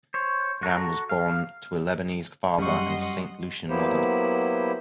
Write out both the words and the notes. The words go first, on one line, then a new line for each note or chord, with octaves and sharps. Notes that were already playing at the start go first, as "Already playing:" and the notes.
Karam was born to a Lebanese father and a Saint Lucian mother.
C5 C#5
F#4 A4 A#5
F5
F#2 G3 D#5 F#5 C6 C#6
F#3 A#3 B3 E4 G4 C5